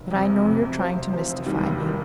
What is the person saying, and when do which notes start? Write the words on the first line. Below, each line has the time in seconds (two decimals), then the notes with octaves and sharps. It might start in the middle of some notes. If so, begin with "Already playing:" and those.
"But I know you're trying to mystify me."
Already playing: F1
0.11 F2 C3
0.28 F1
0.45 F2 C3
0.62 C3
0.79 F3 C4
0.95 C3
1.13 F3 C4
1.29 F1
1.46 D#2 D#3 G3
1.63 F1
1.80 D#3 G3